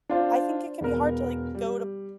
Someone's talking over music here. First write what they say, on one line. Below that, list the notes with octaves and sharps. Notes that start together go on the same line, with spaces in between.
I think it can be hard to, like, go to
D4 F4 C5
E1 B3 A#4
G3